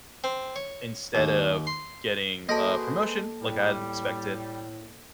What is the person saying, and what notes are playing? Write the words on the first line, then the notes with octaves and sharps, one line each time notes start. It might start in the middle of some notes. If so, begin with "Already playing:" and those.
instead of getting a promotion like I had expected,
C4
C#5
D#2
C6
A#3 F#4 G#4 A4 B4 C5 D#5 A5
A2 G3